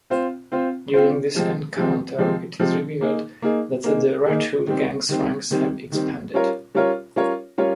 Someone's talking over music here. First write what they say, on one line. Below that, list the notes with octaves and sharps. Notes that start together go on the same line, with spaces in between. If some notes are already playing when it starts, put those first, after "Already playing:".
During this encounter, it is revealed that the Red Hood Gang's ranks have expanded.
C4 F4 C5
C4 F4 C5
C4 F4 C5
C3 F3 G#3 C4
C3 F3 G#3 C4
C3 F3 G#3 C4
C3 F3 G#3 C4
A#3 D#4 G#4
A#3 D#4 G#4
A#3 D#4 G#4
A#3 D#4 G#4
D#3 G3 C4
D#3 G3 C4
D#3 G3 C4
D#3 G3 C4
G3 C#4 F4 A#4 C#5
G3 C#4 F4 A#4 C#5
G3 C#4 F4 A#4 C#5
G3 C#4 F4 A#4 C#5